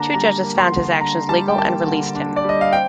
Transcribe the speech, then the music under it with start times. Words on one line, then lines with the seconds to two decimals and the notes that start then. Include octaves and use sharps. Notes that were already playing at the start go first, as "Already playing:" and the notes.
Two judges found his actions legal and released him.
Already playing: D3 A#3 D4 A5 A#5
0.14 G3 A#5
0.43 A#3
0.58 C6
0.72 D3
1.00 D4 A#5
1.29 G3 A5
1.48 G5
1.58 A#3 A5
1.87 D3
2.15 D4
2.36 D5
2.44 G3
2.49 D#5
2.61 F5
2.73 C4 G5